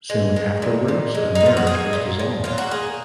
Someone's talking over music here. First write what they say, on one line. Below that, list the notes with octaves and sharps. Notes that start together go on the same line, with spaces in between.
Soon afterwards her marriage was dissolved.
G#3
G#3
A#2
A#2
G#3
D#4
G#3
F4
F#4
A#3 G#4
A#2
A#2
F#3 F4
F#4
A#3 G#4